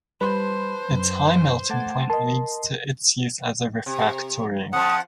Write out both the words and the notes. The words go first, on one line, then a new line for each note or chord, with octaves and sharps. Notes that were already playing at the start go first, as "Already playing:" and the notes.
Its high melting point leads to its use as a refractory.
G3 B4 C5 A5 B5 C6 F#6
F#2
A3 F#5 A5 D6 G#6 A6
A#4 D#5 A5 C6
C3
F2 F3 F#5 A5 D#6